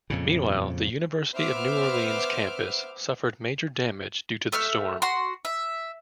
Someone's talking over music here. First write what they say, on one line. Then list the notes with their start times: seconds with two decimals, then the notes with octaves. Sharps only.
Meanwhile, the University of New Orleans campus suffered major damage due to the storm.
0.10 F2 A#2 C#3
1.34 B3 C5 E5 D6 F6
4.52 A3 E5 F6
5.02 F#4 C6
5.45 E5